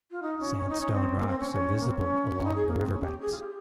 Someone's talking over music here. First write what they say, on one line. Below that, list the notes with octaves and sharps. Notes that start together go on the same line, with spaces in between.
Sandstone rocks are visible along the river banks.
F4
D#4
C#4
C#4
D#4
C#4
C4
A#3
C4
C#4
C#4
A#3
C4
C#4
C#4
D#4
G#4
A#3
C4
C#4
G4
G#4
F4
G4